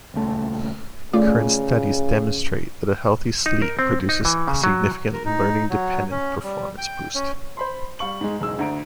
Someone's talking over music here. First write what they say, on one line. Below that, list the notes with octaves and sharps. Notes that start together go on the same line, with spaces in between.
Current studies demonstrate that a healthy sleep produces a significant learning-dependent performance boost.
D#1 C#2 A3
C#3 A3 F4 D5
D#4
A#4
C4
D#4
E3
C#3
F#3
A#4
D#4
F#3
C#4
G3
G5
C#4
C5 B5 C6
G3 F5 C#6 F#7
G#2 G#3
F#1 B1 G#3 E6
D2 D3 A#5 D7